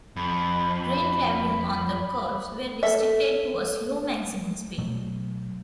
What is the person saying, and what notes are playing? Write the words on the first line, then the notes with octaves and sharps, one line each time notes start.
Train travelling on the curves were restricted to a slow maximum speed.
F2 B5
A4 E5
B2 F#3 A3